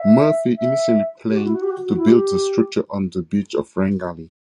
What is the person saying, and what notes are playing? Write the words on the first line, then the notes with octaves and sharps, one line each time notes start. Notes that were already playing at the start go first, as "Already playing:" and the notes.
Murphy initially planned to build the structure on the beach of Rangali.
Already playing: E5
E5
G4
F#4
E4
F#4
G4
F#4
F#4
E4
G4